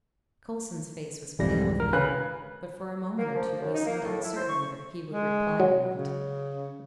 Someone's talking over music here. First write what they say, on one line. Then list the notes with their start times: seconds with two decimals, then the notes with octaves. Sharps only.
Coulson's face was pale with anger, but for a moment or two he seemed uncertain whether he would reply or not.
1.39 C2 F2 G#2 E3 G3 A#6
1.80 A#4
1.93 C#3 B4 F#6
3.18 A#3
3.34 F3
3.61 F#2
3.73 D#4
3.86 A#3
4.02 A2
4.23 E4
4.36 C5
4.48 C#6
5.10 G#3
5.60 F#3
5.95 C#3